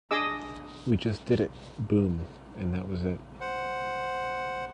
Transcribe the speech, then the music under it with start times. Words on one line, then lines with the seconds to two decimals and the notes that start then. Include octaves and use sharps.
We just did it, boom, and that was it.
0.11 D4 G#4 D#5 D6 E6
3.41 C5 F#5